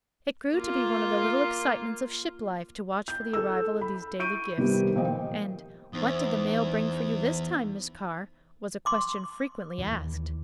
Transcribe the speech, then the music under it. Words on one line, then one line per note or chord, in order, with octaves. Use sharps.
It grew to be one of the little excitements of ship life to watch for the arrival of these daily gifts; and "What did the mail bring for you this time, Miss Carr?" was a question frequently asked.
A#3 F4
G6
A4 E6
B5
C#6 G6 D7 D#7
C3 D#3 G3 B3 C4
A#2 F3 C5 D#5 G5
E2 D#4 C5
C6 D6
D#2 E3